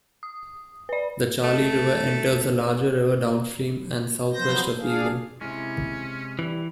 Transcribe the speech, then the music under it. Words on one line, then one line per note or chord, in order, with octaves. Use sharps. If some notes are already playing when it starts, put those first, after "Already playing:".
The Charley River enters the larger river downstream and southwest of Eagle.
D#6
B4 D5
A3
F3 F#3 B3 C5 G6 A#6
D4 G#4 F5
C3 G#3 C#4 E4
E3 G3